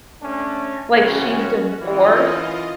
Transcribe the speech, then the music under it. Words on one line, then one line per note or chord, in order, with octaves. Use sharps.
like, she's divorced
A3 C#4 D4
C2 C#3 E3 C#4 F#4
F#2 E3 F4 D#5